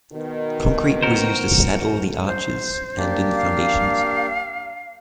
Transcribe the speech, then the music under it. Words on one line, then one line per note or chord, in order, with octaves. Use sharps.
Concrete was used to 'saddle' the arches and in the foundations.
B2 D#3
F#4 A#4 C5
C5
A#3 D4 G4
F5